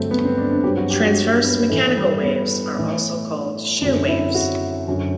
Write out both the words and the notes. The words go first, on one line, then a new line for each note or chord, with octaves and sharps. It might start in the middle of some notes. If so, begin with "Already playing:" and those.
Transverse mechanical waves are also called "shear waves".
Already playing: G2 D3 F#3 A3 C4
B3
C4
D4
D4
G2 F#3 G4
F#4
G4
F#4
B3
A2 E3 A3
G3
B3
A2 E3
F#2 D3 F#3 C4
E4
F#4
F#2 D3 F#3